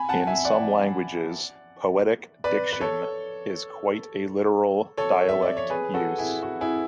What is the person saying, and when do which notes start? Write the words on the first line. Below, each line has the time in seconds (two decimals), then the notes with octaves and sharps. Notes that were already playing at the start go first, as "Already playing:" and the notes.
In some languages, "poetic diction" is quite a literal dialect use.
Already playing: G#5 B5
0.09 F#5 A5
0.27 E5 G#5
0.45 D5 F#5
2.44 B4 D5
2.73 B4
2.81 A4 C#5
4.97 A4 C#5
5.29 E5
5.42 D5
5.57 C#5
5.70 G#4 B4
5.94 F#4 A4
6.18 E4 G#4
6.43 F#4
6.61 E4 G#4